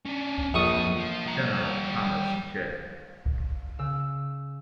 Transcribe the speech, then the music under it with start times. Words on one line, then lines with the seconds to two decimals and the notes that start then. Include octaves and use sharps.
General Thomas J.
0.06 C#4 D4
0.54 A#1 F2 A4 C#6 D#6
0.97 F3
1.26 G3 A#5
3.79 C#3 E6